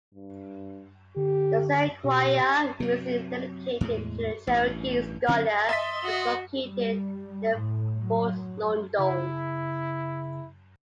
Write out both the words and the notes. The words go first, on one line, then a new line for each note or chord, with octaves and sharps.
The Sequoyah Museum, dedicated to the Cherokee scholar, is located near Fort Loudoun.
G2
D3 G4
B2 G4
C3 F#3
E2 A2 G#3
A1 G2
D3 F#3 C4 C#4
D#5 E5 C6 A6 B6
F#4
G3
A2
F#3
C#3 E4